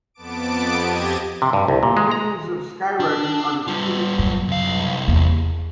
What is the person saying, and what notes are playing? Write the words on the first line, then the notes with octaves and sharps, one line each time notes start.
The beginnings of skywriting are disputed.
F2 B3 A5 D6 D7
F2 G4 D#5 G#6 A6 D#7
C3
G2
C2
A#2
G#3
A#5
D4
G3 F4
F#2
C2 F5
E2